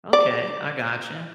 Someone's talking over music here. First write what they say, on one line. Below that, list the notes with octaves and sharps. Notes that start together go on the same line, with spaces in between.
Okay, I gotcha.
D5